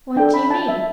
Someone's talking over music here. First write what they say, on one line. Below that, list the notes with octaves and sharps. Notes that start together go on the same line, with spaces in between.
What do you mean?
D4 A4 G5
B5
A5
E5